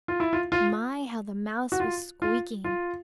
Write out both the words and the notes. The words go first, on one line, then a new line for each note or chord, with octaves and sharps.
My! how the mouse was squeaking!
F4
E4
F4
F4
F#4
F4
F4
F4